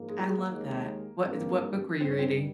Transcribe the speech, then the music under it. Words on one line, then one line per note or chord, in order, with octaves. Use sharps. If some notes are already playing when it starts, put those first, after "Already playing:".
I love that. What is what book were you reading?
Already playing: G#2 F3 A#3
G#3
G3
G#3
A#3
D#2 D#3 G#3
G#1 G2 G3 A#3 C4
G2 D#3 G3 C4
C#4
C4